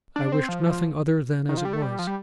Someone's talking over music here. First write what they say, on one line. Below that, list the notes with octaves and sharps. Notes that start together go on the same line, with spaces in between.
I wished nothing other than as it was.
D4
C4
F3
F3
D#3
F3
G3
A3
G3
F3
G3